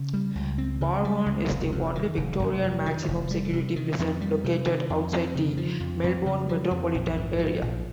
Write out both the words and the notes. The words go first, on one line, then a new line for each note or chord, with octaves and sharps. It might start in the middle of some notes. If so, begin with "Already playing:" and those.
Barwon is the only Victorian maximum security prison located outside the Melbourne metropolitan area.
Already playing: C#3
G3
C#2
C4
C#3
G3
C#2
F1
F2
D#3
F1
F1
F2
D#3
F1
G3
C3
D#3
F2
G3
C3
D#3
F2
F2
C#3
F3
F2
F2
C#3
F3
F2
A#1
G#2
F3
A#1